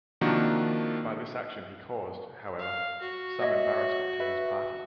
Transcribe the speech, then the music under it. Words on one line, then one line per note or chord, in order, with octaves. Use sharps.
By this action he caused, however, some embarrassment to his party.
C3 D#3 F3 A#3 D4 F#4
F5
F#4
C#5 D#5 E5
B4 E5